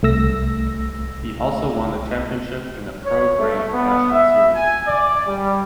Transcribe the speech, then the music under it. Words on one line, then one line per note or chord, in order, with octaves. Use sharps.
He also won the championship in the Pro Grand National Series.
C2 A3 E6 A#6
C#5
A3
B3
E5
G#5
D5
G3